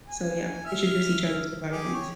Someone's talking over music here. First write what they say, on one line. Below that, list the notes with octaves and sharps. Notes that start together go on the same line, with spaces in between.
So, yeah, introduce each other to a lotta things.
G#5
E5 F6
G4 G#4
C#5